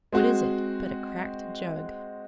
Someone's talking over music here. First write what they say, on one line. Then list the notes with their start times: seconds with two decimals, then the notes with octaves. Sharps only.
What is it but a cracked jug?
0.12 G#3 C4 F#4